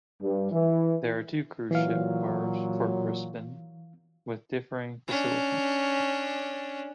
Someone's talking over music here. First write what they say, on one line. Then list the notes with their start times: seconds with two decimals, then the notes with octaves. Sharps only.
There are two cruise ship wharves for Brisbane, with differing facilities.
0.22 G2
0.52 E3
1.71 A#2 E3 F#3 F5
5.08 C#4 D4